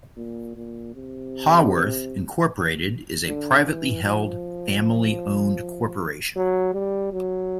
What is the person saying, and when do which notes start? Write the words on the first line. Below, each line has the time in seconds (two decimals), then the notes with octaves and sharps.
Haworth, Incorporated is a privately held, family-owned corporation.
0.17 A#2
0.56 A#2
0.95 C3
3.27 D3
3.66 E3
4.04 F3
6.36 F#3
6.74 G3
7.12 F#3